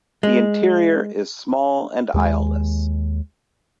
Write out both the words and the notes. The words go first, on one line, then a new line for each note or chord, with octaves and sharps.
The interior is small and aisleless.
G#3
D#2 G#3